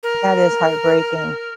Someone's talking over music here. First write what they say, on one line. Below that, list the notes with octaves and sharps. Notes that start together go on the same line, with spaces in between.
That is heartbreaking.
A#4